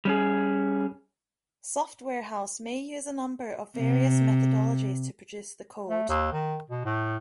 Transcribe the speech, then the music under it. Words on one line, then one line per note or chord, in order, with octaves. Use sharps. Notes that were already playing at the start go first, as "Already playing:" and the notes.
Software house may use a number of various methodologies to produce the code.
G3 C#4 G#4
C3
A3
D#2
D#3
B2
A2